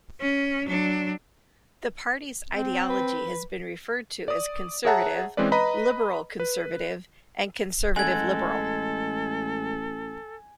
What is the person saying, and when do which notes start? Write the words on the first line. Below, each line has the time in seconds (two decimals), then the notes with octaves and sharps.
The party's ideology has been referred to as conservative, liberal-conservative, and conservative-liberal.
0.21 C#4
0.65 F#3 D4
2.50 C4
2.90 B4
4.28 D5 D#6
4.85 G#4 C#5 E5 F#5 A5 A#5
5.37 E3 G#3 C4 C#4 B4 D5
5.52 B4 D#5 A#5 B5
6.40 B4
7.96 A1 G#3 A4 F#5 G#5 G#6